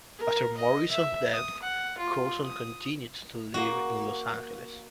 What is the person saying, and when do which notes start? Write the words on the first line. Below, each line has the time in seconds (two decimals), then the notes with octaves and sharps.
After Morrison's death, Courson continued to live in Los Angeles.
0.19 A#4
0.58 D#5
0.91 E5
1.33 D#6
1.62 F#5
1.98 F4
2.44 D#6
3.54 A#3 F#4